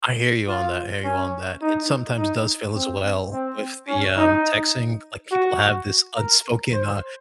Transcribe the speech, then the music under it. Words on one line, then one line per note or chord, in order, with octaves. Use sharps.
I hear you on that, I hear you on that, it sometimes does feel as well with the, um, texting, like, people have this unspoken, uh
F4
C#4
D#4
D#4
C4
C4
C#4
D#4
F#4
A#4
C5